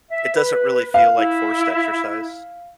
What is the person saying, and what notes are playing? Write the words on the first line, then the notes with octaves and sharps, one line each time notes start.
it doesn't really feel like forced exercise.
E5
B4
F5
E4